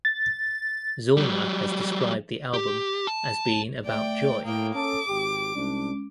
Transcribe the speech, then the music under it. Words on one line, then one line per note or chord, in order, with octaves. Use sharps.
Zauner has described the album as being about joy.
A6
F#3 G3
G4
A5
A3 D5 E5 G5
A2 A#3 G5 D#6
C#4 A4 D6
G#1 G4
C2 G#3 C#4 D4